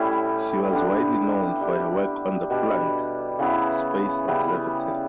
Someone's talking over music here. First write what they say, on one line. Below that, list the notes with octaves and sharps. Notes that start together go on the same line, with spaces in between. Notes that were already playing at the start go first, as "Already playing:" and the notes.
She was widely known for her work on the "Planck" space observatory.
Already playing: A2 G3 C#4 E4
D3 G3 B3 D4
G3 D4 G4
B2 G3 D4
C#3 E3 B3 E4
C#3 G3 B3 E4